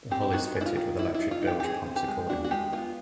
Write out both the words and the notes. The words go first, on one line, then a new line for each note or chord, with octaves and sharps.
The hull is fitted with electric bilge pumps accordingly.
C4 G4
D#4 F#4
G#3
E4
F4
D#3
D#3 E4
E4
D#4
F4
D#4
G4
G4
C4 G#4
C4
G4
G#3
D4 F#4
F#4
G#3 G4
B3 F4